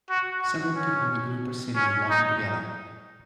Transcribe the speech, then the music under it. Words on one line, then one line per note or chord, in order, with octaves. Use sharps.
Several people in a group are sitting and laughing together.
F#4
F#4
C#4
C#4
D#4